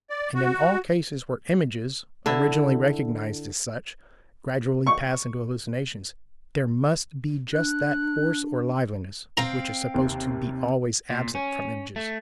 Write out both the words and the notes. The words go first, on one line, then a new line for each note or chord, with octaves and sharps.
And in all cases where images, originally recognized as such, gradually pass into hallucinations, there must be just that "force or liveliness" which is supposed to be always absent from images.
D5
F#4
D3 E4
C#6
D4 F#6
C4 F5 G5 A#5
D#2 C3
A#2
C#4
A3